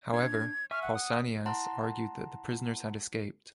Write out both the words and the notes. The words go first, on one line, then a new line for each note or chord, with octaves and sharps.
However, Pausanias argued that the prisoners had escaped.
D4 G#6
E5 G#5 C#6 F6
F#5
D#6
E4 F#5 A5 A#5 C6